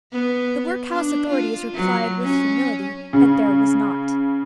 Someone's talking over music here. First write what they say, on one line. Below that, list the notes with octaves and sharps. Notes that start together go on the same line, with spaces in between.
The workhouse authorities replied with humility, that there was not.
B3
D4
F4
F#3
C#4
C#3